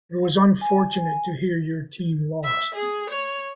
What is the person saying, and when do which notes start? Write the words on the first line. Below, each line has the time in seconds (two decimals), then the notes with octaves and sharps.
It was unfortunate to hear your team lost.
0.61 G#5
2.44 E5
2.75 G#4
3.10 C#5